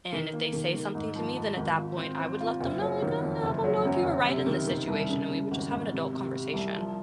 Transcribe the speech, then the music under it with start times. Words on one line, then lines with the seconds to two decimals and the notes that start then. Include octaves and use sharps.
and if they say something to me, then at that point, I would let them know, like, "Uh, I don't know if you were right in this situation," and we would just have an adult conversation.
0.13 D#3
0.33 A#3
0.53 D#3
0.74 D#3
0.95 G#2
1.16 F3
1.36 G#2
1.57 G#1
1.78 F4
1.98 C4
2.20 C4
2.40 F4
2.60 F#1
2.81 F#3
3.02 D#3
3.23 F2
3.44 F#1
3.64 F#3
3.85 F#2
4.05 F#1
4.27 C3
4.46 D#3
4.67 D#3
4.88 C2
5.09 C#3
5.30 C#3
5.51 G#1
5.71 G#1
5.91 C3
6.13 C3
6.34 C3
6.53 C2
6.75 F3